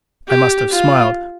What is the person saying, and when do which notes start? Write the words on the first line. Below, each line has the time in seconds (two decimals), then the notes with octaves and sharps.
I must have smiled.
0.28 G4
0.71 F4